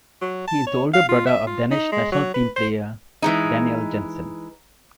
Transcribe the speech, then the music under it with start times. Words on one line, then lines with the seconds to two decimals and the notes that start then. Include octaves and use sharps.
He is the older brother of Danish national team player Daniel Jensen.
0.21 F#3
0.47 A5
0.67 C#5
0.93 F5
1.09 F4
1.26 E5
1.47 F4
1.71 D#4
1.92 G#3
2.12 F#3
2.34 B4
2.56 C5
3.22 E3 G#3 D#4